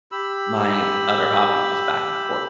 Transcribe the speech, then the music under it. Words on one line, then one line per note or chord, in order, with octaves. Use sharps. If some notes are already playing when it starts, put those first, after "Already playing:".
my other hobbies, just back and forth.
G4 B5 E6